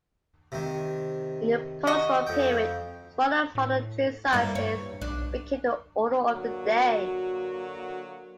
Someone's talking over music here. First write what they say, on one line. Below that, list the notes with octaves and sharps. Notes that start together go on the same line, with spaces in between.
In the postwar period, smaller model train sizes became the order of the day.
C3 D#3
F#4 D#5
F2 G5
A2
G2 G3 A#3 E4
G2 C#5
B1 D4
D3 F#3 A#3 F#4